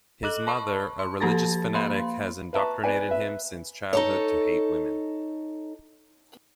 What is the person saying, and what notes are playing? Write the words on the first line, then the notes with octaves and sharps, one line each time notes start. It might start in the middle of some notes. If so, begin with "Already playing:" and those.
His mother, a religious fanatic, has indoctrinated him since childhood to hate women.
A4 D#5 D6 F#6 F#7
A5 B5 C#6
C6
F3 A#3 G4 A4 A5 A6
A#3 F5 B5 C6
B4 E5 A5 A#5 C#6
B4 D5 G#5
B4 E5
D#4 A4 C#5